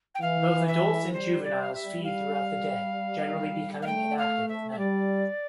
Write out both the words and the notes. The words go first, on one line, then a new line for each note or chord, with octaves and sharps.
Both adults and juveniles feed throughout the day, generally becoming inactive at night.
G5
E3 F5
E5
G3 C5
D5
F5
E5
F5
F5
A3 G5
F5
E5
E5
G3 D5